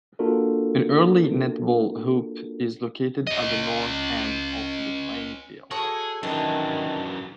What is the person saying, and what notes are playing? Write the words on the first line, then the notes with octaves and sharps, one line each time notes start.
An early netball hoop is located at the north end of the playing field.
A#3 D4 F4 F#4 A4 A#4
C#4 D#5
F#4 G#4 A4 C#5
F#2 D#3 E3 D4 D#5